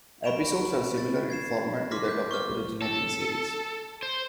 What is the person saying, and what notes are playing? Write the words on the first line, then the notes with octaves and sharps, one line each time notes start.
Episodes are similar in format to that of the originating series.
B5 C#6 D7 E7 F7
A6
G#6 C7 E7
C6 D6 F6 A#6 B6
G6
C#6 D6 F6
A4
C5